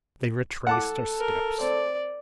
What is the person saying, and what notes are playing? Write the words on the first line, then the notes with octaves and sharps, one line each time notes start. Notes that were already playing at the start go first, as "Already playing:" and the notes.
They retraced their steps.
A4 F#5 A5 D6
A#4
C4 D5